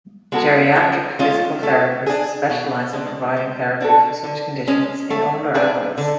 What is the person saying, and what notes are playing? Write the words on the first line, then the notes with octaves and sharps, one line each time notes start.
Geriatric physical therapists specialize in providing therapy for such conditions in older adults.
G#3 B3 F#4 A4
F3
G#3 C#4 F4
A3
D4 G#4
B2
G#3 D4
G#3
D4 F#4 A4
D3
G#3 C#4
A3
D4 G#4 B4
D3